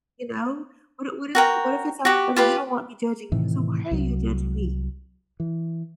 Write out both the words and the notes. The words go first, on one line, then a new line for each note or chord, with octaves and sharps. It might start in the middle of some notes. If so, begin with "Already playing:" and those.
you know? What what if what if it's on the other you don't want me judging you, so why are you judging me?
F#4 A#4 G5
F#4 G4
F4 G4 B4
A2 C3 D#3 E3
C2 F#3
E3